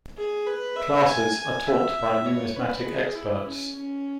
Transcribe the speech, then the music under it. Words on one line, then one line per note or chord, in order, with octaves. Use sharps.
Classes are taught by numismatic experts.
G#4
B4
E5
G#5
G#5
E5
C#5
B4
G#4
E4
C#4
C#4